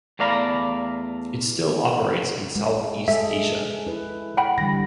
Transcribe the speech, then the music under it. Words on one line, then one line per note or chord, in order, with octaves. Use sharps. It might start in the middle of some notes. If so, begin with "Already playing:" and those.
It still operates in South East Asia.
E2 A3 D5 F5 A#5 B5
G#3
G#3 G#4 A4 E5
E4 B4
F#5 G5 B5
D3 E3 G3 A#6